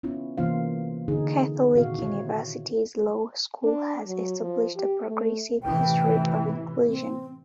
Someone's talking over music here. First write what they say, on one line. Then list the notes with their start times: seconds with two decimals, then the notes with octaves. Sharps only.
Catholic University's law school has established a progressive history of inclusion.
0.03 B3 C#4 E4 F4
0.38 C3 E3 A#3 F4 C5 F5
1.08 D3 D#4 G#4
1.75 A#2 D#3 C4 F#4 F5
1.99 E4 C#5
3.63 D4
4.07 F#3
4.41 F3
4.76 G4
5.08 A3
5.63 A1 C3 E3 G5
6.88 C4